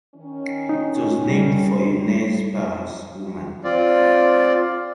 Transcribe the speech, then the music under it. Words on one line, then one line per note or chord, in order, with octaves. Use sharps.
It was named for a Nez Perce woman.
D#3 C#4
D#4
G3
C4 F4 D5